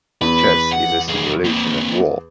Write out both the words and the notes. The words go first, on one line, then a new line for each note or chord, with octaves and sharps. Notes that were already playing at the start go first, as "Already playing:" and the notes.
Chess is a simulation of war.
E2 B4
F#5
B1 G#4
A#3 C4